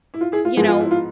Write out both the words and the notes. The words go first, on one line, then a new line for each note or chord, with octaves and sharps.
you know,
E4
F4
E4 G#4
F4
G#2 F3 B3 G#4
F4
E4
F4